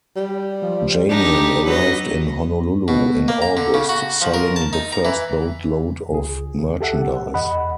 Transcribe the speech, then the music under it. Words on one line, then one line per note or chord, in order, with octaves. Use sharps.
Janion arrived in Honolulu in August, selling the first boat-load of merchandise.
G3
F3
D4 D#4 G4
F#3 B4 D#5
B2
A#3
A#5
D3
C#3
F#4
F3
A#4
A5
D#4
A#5
E3
C#2 G#4
G4 A4 E5 F#5
E2 D#5 F#5 B5